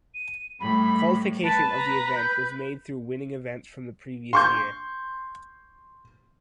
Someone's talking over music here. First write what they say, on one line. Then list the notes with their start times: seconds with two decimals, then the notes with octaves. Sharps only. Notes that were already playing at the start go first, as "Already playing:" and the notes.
Qualification of the event was made through winning events from the previous year.
0.14 D#7
0.60 A2 G3 B5
1.44 B4 A5
1.77 A#5
2.16 G6
4.33 C6 C#6 G6